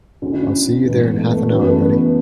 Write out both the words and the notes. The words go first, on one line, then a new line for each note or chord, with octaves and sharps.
I'll see you there in half an hour buddy.
D2 D3 C#4
E4
C#4
G#2 E3 B3
A3
B3
A3
F#2 C#3 E3 B3
B3
A3
B3